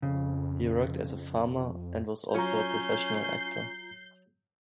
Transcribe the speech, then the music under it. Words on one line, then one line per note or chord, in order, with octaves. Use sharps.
He worked as a farmer, and was also a professional actor.
F2 C#3
F#3 C#4 F4 A#5 C#6 G6 C7